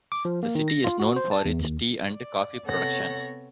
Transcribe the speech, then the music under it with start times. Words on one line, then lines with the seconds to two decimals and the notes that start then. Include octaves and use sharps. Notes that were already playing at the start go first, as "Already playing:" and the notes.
The city is known for its tea and coffee production.
0.12 D6
0.25 F3
0.43 A#3
0.55 D#3
0.68 A#6
0.84 F4
1.00 F#4
1.16 C5
1.31 A5
1.45 E2
1.60 D#2
2.10 D5
2.65 C3 B3 A4 C#5 F#5 A#6